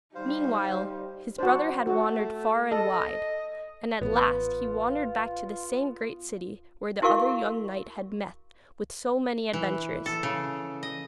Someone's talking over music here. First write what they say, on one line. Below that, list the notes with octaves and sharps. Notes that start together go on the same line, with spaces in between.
Meanwhile his brother had wandered far and wide, and at last he wandered back to the same great city where the other young knight had met with so many adventures.
G3 D#4 C5 F5
D4 F#4 C5
A3 F#4
A4 D#5
A1 B3 F4
E4 F#4 A#4 F5 C#6
E3
A4
C#3
D#5